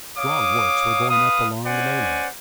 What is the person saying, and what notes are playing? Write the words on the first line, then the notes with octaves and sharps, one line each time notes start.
Strong works were going up along the mainland.
C#5 F5 D6 D#6
B4 F5 D#6
C#4 C5 D5 F#5 G#5